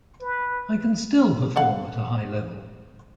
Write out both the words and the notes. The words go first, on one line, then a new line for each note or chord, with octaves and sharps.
I can still perform at a high level.
B4
A4 F5 F#5